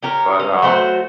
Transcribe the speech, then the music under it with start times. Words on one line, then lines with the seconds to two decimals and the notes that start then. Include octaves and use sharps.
But, um
0.03 C#4 G4 A#4
0.39 C#4
0.62 F#3 A3 F#4 C5